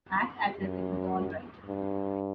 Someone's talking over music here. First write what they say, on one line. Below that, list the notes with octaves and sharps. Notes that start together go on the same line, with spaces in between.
Act as if it was all right!
F#2
G2